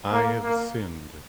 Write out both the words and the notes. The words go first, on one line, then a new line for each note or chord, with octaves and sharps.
I have sinned.
A#3
A#3